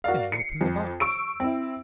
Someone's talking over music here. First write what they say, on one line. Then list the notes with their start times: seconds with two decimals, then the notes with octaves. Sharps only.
Then he opened the box.
0.04 F#4 A#4 D5 F5
0.32 C7 C#7
0.61 F2
1.00 C#6 E6 D7
1.40 C4 E4